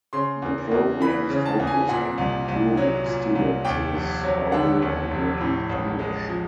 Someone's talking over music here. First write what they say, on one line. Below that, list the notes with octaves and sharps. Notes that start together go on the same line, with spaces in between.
The programs focus on improving students' oral and written English.
C#3 C6
E2
E2
E3 B5
C#3
A5
E2
G#5
A#2 F#5
C2
C2
F#3
A#2
C2
D#2 G5
F1
F#3
D3 F#5
D#2
F1
A2
A1
G#3
F3